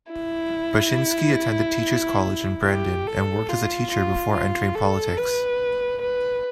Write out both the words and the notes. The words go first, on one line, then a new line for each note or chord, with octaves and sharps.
Bachynsky attended teacher's college in Brandon and worked as a teacher before entering politics.
E4
G4
A4
F4
F4
F4
A4
B4
B4